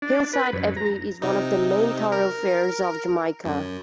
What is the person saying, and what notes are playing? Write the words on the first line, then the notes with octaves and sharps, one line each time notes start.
Hillside Avenue is one of the main thoroughfares of Jamaica.
D4
B4
F#2
A#5
C3 D#4
A#4
F#2